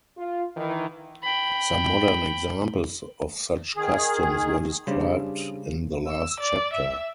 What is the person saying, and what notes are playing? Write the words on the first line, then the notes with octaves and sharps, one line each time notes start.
Some modern examples of such customs were described in the last chapter.
F4
D#3 E3
G5 B5
D#3 G#4
C#3 G3 D4 C5
E6
D5
E5